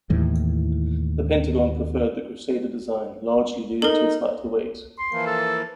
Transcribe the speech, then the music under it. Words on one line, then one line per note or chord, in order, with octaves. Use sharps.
The Pentagon preferred the Crusader design, largely due to its lighter weight.
D#2 A2 E3
D#4 A4 A#4
C6
E3 F3 A#3
A4